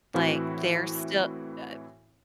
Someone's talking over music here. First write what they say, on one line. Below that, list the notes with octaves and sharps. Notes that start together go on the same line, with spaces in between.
Like, they're still, uh
A2 E3 C4 E4 F#4